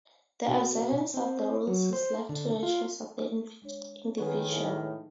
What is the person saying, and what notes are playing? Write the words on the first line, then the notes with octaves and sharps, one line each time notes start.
The observance of the rules is left to the choice of the individual.
B2
C4
F#3
C5
D3
F4
G#3 D4 C#5
D#3 F3 G#3 B3 G#4 B4 C#5 D#5
A2 F5 G#5